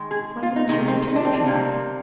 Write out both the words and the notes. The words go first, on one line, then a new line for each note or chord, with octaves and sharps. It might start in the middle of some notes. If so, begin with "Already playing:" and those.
Why didn't you return, Jack?
Already playing: D#3 G#3
G#4
F4
D#4
C3 D#3 G#3 D#4
C4
D#4
D4
C4
D4
C3 G3 A#3 C4